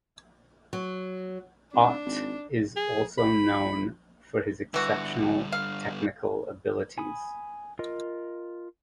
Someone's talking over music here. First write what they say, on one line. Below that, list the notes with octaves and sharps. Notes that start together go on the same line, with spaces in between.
Ott is also known for his exceptional technical abilities.
F#3
G#1 D4
G#1
G#4
B5
G2 D3 E3 F#4
F5
G#5 B5 D#6
F4 A#4 D#5